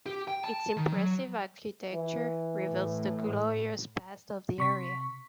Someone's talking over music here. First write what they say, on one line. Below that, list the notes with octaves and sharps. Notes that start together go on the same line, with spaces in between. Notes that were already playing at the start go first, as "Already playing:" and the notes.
Its impressive architecture reveals the glorious past of the area.
G4
G5
A5
D#3
F#3
E3
A2
C3 C#6 B6